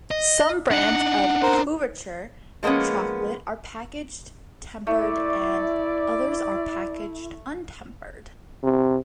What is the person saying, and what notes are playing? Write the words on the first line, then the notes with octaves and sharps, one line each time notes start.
Some brands of couverture chocolate are packaged tempered, and others are packaged untempered.
D#5
D4 D#4 F#5
A#4 C5
F3 G#3 A#3 B3 C#4
A3 E4 D5
C3